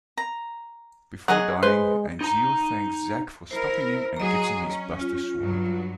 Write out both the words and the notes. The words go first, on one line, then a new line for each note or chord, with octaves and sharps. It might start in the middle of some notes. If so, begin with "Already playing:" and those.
Before dying, Angeal thanks Zack for stopping him and gives him his Buster Sword.
A#5
F#3 G#4 D#5 F#5
G#3 B4 C5 C6
D#4 A#5
E4 A#4 C5
F#3 G#4 D#5 A#5
C#4
F4
G2 F#3